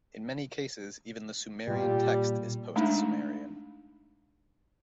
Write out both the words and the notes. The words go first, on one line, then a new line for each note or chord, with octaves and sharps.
In many cases, even the Sumerian text is post-Sumerian.
A#2 G3
G#3 A3 D4 D#4